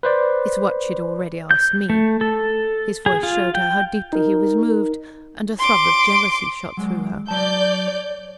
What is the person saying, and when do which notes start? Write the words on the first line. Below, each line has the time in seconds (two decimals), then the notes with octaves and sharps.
"It's what she'd already asked me." His voice showed her how deeply he was moved, and a throb of jealousy shot through her.
0.03 B4 C5 D5
1.51 G6
1.90 A3
2.21 A4
3.06 G#4
3.23 F4
3.55 G5
4.13 D#4 A#4
5.59 C6 D6
6.77 F#3 G#3
7.28 F#3 D5 A5 G6
7.87 C#5